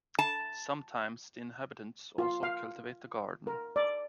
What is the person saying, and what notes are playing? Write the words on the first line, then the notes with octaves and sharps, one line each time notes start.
Sometimes the inhabitants also cultivate a garden.
A5
F4
F5
A#4
D5